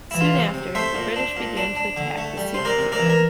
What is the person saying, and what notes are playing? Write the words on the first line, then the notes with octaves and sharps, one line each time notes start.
Soon after, the British began to attack the Sikh Kingdom.
E3 E4
F4
C3
C3
A3 C5 E5
A#2
D4
A#2
D4
D4
D3
A3
G3
C3 C5
A#4 D5
C3
A#4 D5
E3
A#4